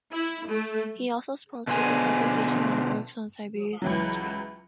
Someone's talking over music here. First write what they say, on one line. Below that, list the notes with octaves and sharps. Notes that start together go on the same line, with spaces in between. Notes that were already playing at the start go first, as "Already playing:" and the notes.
He also sponsored the publication of works on Siberia's history.
E4
A3
B2 D3 F3 G#4 G#5
C#2 E3 F#3